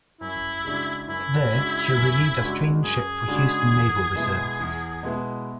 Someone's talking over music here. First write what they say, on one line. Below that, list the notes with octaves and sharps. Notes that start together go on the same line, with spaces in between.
There, she relieved as training ship for Houston naval reservists.
F#2 E4
C#3 G#3 D4 F#4
F#2 E4
C#3 G#3 D4 F#4
F#2
C#3 G#3 D4 F#4
F#2 G#4
C#3 G#3 D4 F#4
E2
B2 G#3 B3 E4
E2
B2 G#3 B3 E4